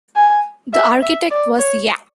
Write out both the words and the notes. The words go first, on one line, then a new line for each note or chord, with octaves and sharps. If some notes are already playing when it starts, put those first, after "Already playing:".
The architect was Ya.
G#5
E5
E5
D5
C#5